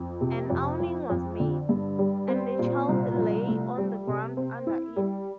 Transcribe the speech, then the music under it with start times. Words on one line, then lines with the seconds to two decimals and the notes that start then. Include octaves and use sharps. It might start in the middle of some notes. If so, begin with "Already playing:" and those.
An awning was made, and the child lay on the ground under it.
Already playing: F2
0.21 C3
0.50 F2
0.80 F3
1.10 F2
1.40 D3
1.69 G2
1.99 G3
2.28 C4
2.59 A#2
2.89 C2
3.17 F3
3.48 A3
3.78 G3
4.07 C3
4.37 C4
4.67 E4
4.96 G3